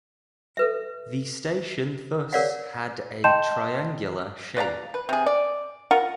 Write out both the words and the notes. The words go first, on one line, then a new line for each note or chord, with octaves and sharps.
The station thus had a triangular shape.
A4 B4 E5
G#4 A#4 C#5 D5 F5 F#5
D#5 G5 A5 C6 G6 E7
B4 D5 F5 A#5
B4
C3 G#4
D5
F4 A#4 F#5 A#5